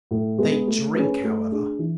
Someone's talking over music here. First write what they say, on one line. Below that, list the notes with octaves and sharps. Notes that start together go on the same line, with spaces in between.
They drink, however.
A2
G#3 B3
A3
C#4 G#4 B4
A3
D4 G#4
E3